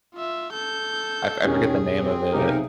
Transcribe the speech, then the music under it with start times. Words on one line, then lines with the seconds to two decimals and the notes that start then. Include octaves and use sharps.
I I forget the name of it.
0.15 F4 E5
0.52 A4 G6
1.45 E1 D#3 C#4 G4 G#4
2.00 C4
2.33 B1 C3 D#4 G4 A#4 D#6